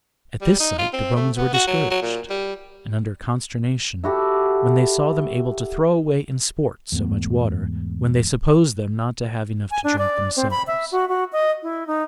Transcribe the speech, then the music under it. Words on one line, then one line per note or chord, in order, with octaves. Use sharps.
At this sight the Romans were discouraged, and under consternation, when they saw them able to throw away in sport so much water, when they supposed them not to have enough to drink themselves.
G3
D#4
F4
C4
A3
B3
F#4
F#3
F#3
A#2
G3
E4 F#4 G4 A4
E2 G#2 A3 B3
G#5
D4
D5
C4
B5
E5
F#4
F#4
D#5
E4
D#4